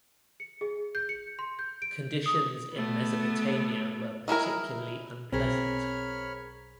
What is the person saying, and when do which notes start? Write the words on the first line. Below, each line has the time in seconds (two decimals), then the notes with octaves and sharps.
Conditions in Mesopotamia were particularly unpleasant.
0.40 C#7
0.61 G#4
0.95 G6
1.09 C#7
1.39 C6
1.59 G6
1.82 D7
2.26 D#6
2.73 A3 B3
4.28 D#4 E4 G#4 A#4
5.32 B1 C4 G#4 A#4 C#5 B5 F6